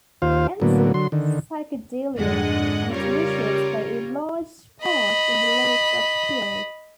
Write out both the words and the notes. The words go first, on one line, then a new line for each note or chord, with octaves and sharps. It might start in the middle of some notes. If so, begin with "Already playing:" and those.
Instead psychedelia and its rituals play a large part in the lyrics of "Shield".
D#2 F4 C5 F5
A2 D3 F#3 A#3 B3
D3 F#3 C6
D3 D#3
F2 G#2 D3 G#3 D#5 F#5
C#3 G3 F4 A#4 C#5
D#5 B5